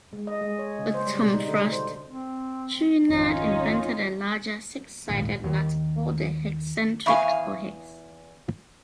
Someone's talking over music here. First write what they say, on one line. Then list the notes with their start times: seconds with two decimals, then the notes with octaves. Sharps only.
With Tom Frost, Chouinard invented a larger, six-sided nut called a Hexentric or hex.
0.13 G#3
0.27 D#5
0.41 G#3
0.59 C#5
0.79 C#3
0.94 C5
1.06 G3
1.21 B2
1.34 D#4
1.48 D3
1.72 C5
2.06 C4
3.09 G#1 F2 C#4 D#4 F4
5.09 D1 A#1 D#2 G#2
5.44 D#2 D#3
7.06 E2 E5 F5 G#5 B5 C#6